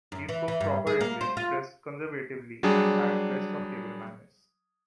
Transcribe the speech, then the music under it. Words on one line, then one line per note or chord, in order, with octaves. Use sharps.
He spoke proper English, dressed conservatively, and had the best of table manners.
F#2
E3
E3
G2
G#4
A#3
C5
F4
F#3 G3 D4 G#4